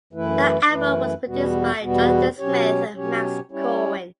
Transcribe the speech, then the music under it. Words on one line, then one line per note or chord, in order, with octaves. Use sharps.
The album was produced by Jonathan Smith and Max Corwin.
F#2 E3 A3 E4 B4
F#2 E3 A3 E4 B4
E2 B2 G3 B3 F#4
E2 B2 G3 B3 F#4
B2 F#3 C#4 G4 C#5
B2 F#3 C#4 G4 C#5
G3 C#4 E4 G4 C#5